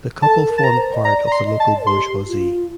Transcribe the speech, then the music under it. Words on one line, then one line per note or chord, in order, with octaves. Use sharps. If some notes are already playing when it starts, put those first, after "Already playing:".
The couple formed part of the local bourgeoisie.
A4 A5
A#4
A5
A#5
C5
D#5
D5 A#5
A#5
C6
D#5
A5
G4 C6
F4